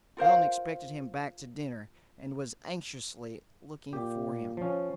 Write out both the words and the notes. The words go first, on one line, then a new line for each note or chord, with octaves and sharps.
Helen expected him back to dinner, and was anxiously looking for him.
F4 A#4 C5 F5
A#2 G4
F3 C#4